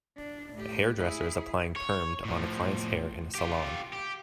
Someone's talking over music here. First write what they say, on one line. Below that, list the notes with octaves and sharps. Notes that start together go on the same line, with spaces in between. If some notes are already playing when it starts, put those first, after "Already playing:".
A hair dresser is applying permed on a client 's hair in a salon.
D4
A2 G4
E4 G#4
C#5
A2 F3
F4 G4
G4